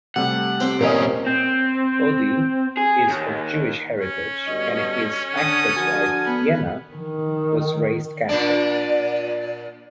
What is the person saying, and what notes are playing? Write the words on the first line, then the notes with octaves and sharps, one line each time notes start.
Bodhi is of Jewish heritage and his actress wife Jenna, was raised Catholic.
C3 G3 A3 F#5
C4 G4 C5
A#2 A#3 C#4 A#4 D#5
C4
G#4
D#2
C#4
G2 B2 D3 D#5
D3 A4 F#5 G#5 D#6
F3 F#4 A#4 G#5
B3
D#3
A#2 D4 D5